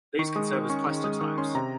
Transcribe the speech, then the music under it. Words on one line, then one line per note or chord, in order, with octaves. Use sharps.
These can serve as plastotypes.
D#3 C#6
G#3 D#6
D#3 C#6
C#4 C#6
D#3 C#6
G#3 D#6
D#3 C#6
C#4 C6
C3 A#5